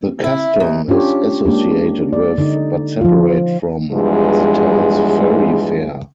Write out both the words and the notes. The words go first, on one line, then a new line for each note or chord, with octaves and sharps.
The custom is associated with, but separate from, the town's Ferry Fair.
E4
D#2
C#4 D4 F4 G4 C#5
G#3 A#3 D4 G4
D5
D3 D#4
F3 F4
E2 G2 F3 G#3